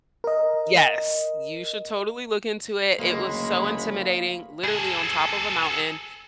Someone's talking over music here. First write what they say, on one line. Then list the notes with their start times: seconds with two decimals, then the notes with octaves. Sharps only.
Yes. You should totally look into it. It was so intimidating, literally on top of a mountain,
0.24 A#4 D#5
2.99 F#1 D2 G#3 A#3 C#5 B5
4.64 G#4 A4